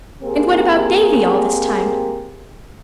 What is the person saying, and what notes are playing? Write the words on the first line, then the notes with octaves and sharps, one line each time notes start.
And what about Davy all this time?
A#3 C4 G4 G#4 A#4